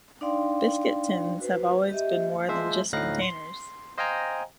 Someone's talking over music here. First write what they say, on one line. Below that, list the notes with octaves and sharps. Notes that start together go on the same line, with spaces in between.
Biscuit tins have always been more than just containers.
D4 D#4 D5 F5 G5 C6
F#4 B4 C5
G4 D#5 E5
F3 G#3 C5 E5
D2 A2 D#4 F5 F#6 A#6
C6
C5 D#5 F5 G5 G#5 A#5